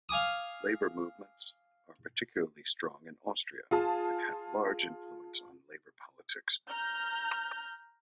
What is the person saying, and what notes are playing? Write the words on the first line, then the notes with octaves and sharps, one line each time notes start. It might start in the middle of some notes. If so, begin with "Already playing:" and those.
Labour movements are particularly strong in Austria and have large influence on labour politics.
F5 G#5 D6 D#6
F4 G#4 A5
A#5 F6 G6